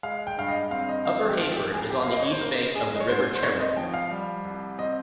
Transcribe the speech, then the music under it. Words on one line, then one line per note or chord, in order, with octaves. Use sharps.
Upper Heyford is on the east bank of the River Cherwell.
G#3 F5
G5
G2 F5
D#5
C4 F5
D#5
F3 F5
G4
F3 F4
G4
C#2 G#4
G4
A#3 F5
D#5
C#5
C5
C#3 A#4
G#3 G#4
D#5
C#5
G#2 C5
C5
C4 C#5
D#5
F3 G5
F5
G3
C2
C4 D#5